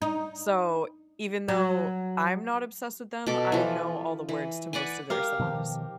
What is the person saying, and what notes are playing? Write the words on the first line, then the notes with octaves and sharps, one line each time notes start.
so, even though I'm not obsessed with them, I know all the words to most of their songs.
D#4
F#3
B2 A4 D6
E3 F3
E3
B4 D5 F#5 G#5
G4 A#4 F5
B2 D#3 F3